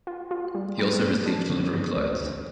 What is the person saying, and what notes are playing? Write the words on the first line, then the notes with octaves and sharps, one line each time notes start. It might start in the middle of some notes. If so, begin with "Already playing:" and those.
He also received livery clothes.
F4
F4
G3
G3
G2
D4
D3
G2
D2
D2